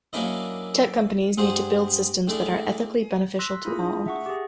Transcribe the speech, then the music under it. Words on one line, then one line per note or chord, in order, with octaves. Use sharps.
Tech companies need to build systems that are ethically beneficial to all.
F#3 A#3 C#4 D4 E4 D#5
G2 G#3 G#4 C5 F#5
A2 G#3 D4
C6 E6 F#6 A#6 B6
E4 F4 G#4
D4 G#4
E5 F#5 C#6
G4 G#4